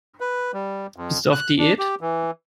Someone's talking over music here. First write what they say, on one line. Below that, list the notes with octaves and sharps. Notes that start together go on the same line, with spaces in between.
Bist du auf Diät?
B4
G3
F2
F#6
D4
G4
E3